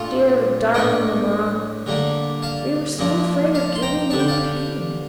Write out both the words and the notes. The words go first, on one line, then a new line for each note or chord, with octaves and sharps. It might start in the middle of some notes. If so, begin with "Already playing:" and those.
'Dear, darling mamma! we were so afraid of giving you pain.
Already playing: A#2 A3 D4 F4 A4
A2 A3 D4 D#5 G5
D3 G3 A#3 D4
F5 A5
G2 F3 A#3 D4
F5 A5
C6
G5 A#5
D3 G3 D4 A5
G5
F5 A5